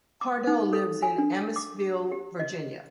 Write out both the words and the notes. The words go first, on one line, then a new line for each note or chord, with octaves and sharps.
Pardoe lives in Amissville Virginia.
D6
D#4
A4
G#5
D4
D6
G4
D#5